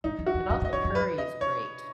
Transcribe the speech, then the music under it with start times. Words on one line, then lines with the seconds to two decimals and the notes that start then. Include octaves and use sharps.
and also, curry is great.
0.04 G#2 D#4
0.19 F2
0.26 F#4
0.34 F2
0.50 F#2 D#5
0.61 G#2
0.65 D#5
0.73 F#2 C#5
0.84 F#2
0.95 B4
1.18 D#5
1.41 C#5